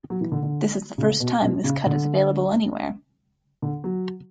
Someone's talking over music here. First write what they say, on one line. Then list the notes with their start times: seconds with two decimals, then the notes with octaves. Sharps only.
This is the first time this cut is available anywhere.
0.10 F#3
0.21 E3
0.32 D3
0.43 D3
0.98 C#3
1.20 B2
1.42 B2
1.64 C#3
1.86 D3
3.62 D3
3.84 F#3